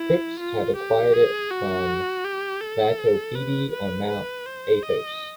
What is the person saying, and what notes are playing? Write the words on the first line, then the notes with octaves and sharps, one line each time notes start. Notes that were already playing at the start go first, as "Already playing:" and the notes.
Cripps had acquired it from Vatopedi on Mount Athos.
Already playing: E4
F4
G4
G#4
F#4
G4
A4
B4
B4
B4
C5
D#5